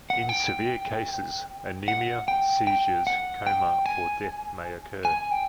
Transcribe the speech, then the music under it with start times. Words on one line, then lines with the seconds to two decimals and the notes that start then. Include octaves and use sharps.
In severe cases anemia, seizures, coma, or death may occur.
0.10 F#5
0.29 G5
1.88 F#5
2.28 G5
2.67 G5
3.07 F#5
3.47 G5
3.86 G#5
5.05 G#5
5.31 G5